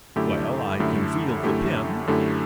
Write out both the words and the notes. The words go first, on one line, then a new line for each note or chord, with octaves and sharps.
"Well, I can feel the pin."
F#2 D3 A3 E4 G4
F#2 D3 A3 E4 G4
F#2 D3 A3 E4 G4
F#2 D3 A3 E4 G4